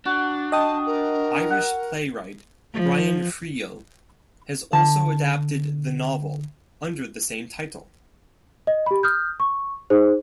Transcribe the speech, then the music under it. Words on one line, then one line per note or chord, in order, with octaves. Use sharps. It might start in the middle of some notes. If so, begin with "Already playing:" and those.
Irish playwright Brian Friel has also adapted the novel, under the same title.
D4 F#4
D#5 G5 A5 D#6
A#4
F#5
F3
D3 A5
D#5
G4 B5
D#6 F6 G6
C#6
D#4 G#4 C5